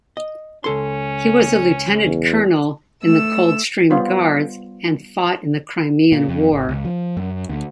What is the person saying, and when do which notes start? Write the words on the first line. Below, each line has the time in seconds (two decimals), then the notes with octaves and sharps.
He was a Lieutenant-Colonel in the Coldstream Guards and fought in the Crimean War.
0.17 D#5
0.64 C#2 C#4 A4 C6
2.05 E2
3.03 A3 E6
3.90 G3 B3 F4 C5
6.12 A#2
6.29 F2
6.52 G#1
6.69 C#2
6.85 F3
7.17 F#2
7.49 D2